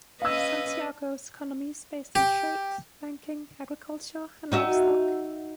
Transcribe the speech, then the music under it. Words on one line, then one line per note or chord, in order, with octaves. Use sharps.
Santiago's economy is based on trade, banking, agriculture and livestock.
C#4 B4 D#5 F5 E6
G4
D#4 F#4 E5